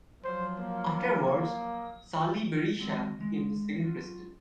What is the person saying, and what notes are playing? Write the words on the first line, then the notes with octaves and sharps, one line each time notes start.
Afterwards, Sali Berisha became the second President.
F3 F#3 C5
A#3
F#3 G#3 C4
G#3
F#3 C#4 F4